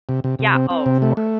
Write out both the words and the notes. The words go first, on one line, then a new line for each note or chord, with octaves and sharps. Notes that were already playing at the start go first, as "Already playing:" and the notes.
Yeah, oh, of cour
C3
C3
C3
C4
C4
C3
A3
A3